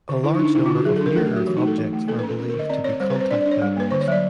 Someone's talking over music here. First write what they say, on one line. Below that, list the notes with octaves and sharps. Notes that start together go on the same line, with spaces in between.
A large number of near-Earth objects are believed to be contact-binaries.
D3
D3 E4
D#4
D4
D#4
D3 E4
F4
D3 F#4
F#3 G#4
A4
D4 A#4
A3 A4
G4
F#3 F#4
E3 F#4
D#4
A3
A4
E3
A3
A#3 A4
B4
C#4
A4
C#4 A#4
A#4
D3
D#5
C4 D5
C4 C#5
G3 C5
B4
C4 C5
D4 D5
D5
D4
C#5
G3
A#3 B4
D3 C5
C#5
F#3 D5